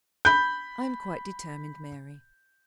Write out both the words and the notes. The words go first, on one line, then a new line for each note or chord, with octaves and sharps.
I am quite determined, Mary.
B5 G6